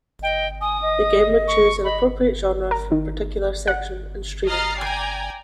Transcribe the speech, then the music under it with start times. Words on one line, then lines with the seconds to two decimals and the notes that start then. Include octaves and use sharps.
The game would choose an appropriate genre for a particular section, and stream it.
0.23 D#5 G5
0.61 G#5 D#6
0.82 D#5
1.48 C#6
1.84 D#5 B5
2.71 A#4
2.92 D#3
3.67 F#5
4.45 D#5 A#5 F6 A6 C7
4.78 D5 G5 G#5 A#5